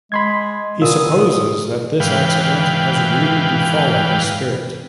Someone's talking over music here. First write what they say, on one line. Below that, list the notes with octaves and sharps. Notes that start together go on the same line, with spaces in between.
He supposes that this accident has really befallen his spirit.
G#3 B5 C6 G#6
A#2 B3 F4 A#4 D#6
G#2 E3 B4 F5 G5